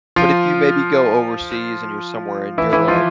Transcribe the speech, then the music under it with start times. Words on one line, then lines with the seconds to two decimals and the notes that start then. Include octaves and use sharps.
But if you maybe go overseas and you're somewhere in Europe,
0.16 F3 F4
2.58 E3 E4
2.73 E3 E4
2.88 F3 F4